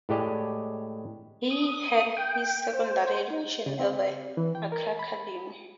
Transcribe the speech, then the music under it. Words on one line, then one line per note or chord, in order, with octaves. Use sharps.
He had his secondary education at the Accra Academy.
A2 G#3 G4 D5 D#5
D#6
G5
C5
D#4
C#3
C4
E3
G5
A#4
B5